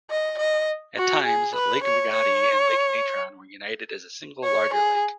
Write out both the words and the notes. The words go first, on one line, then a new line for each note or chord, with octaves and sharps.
At times, Lake Magadi and Lake Natron were united as a single larger lake.
D#5
D#5
F#4
G#4
B4
C#5
C#5
C#5
G#4